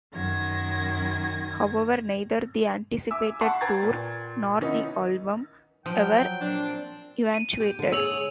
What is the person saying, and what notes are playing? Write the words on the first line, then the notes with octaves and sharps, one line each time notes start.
However, neither the anticipated tour, nor the album, ever eventuated.
F#2 D#3 G#6 A#6
E5 G#5 D6 E6
F#5 A5 C#6 C7
B4 G5 A#5 G#6 A6
A#2
D#3 B3 C#4 D#4 E4
F3 F#3 G5
A#2 C4 D4
D#7
G4
D3
G#4 C#5 E6 F7 F#7